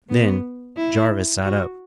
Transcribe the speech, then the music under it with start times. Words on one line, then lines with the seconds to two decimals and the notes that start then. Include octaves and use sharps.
Then Jarvis sat up.
0.09 B3
0.77 E4
1.45 F#4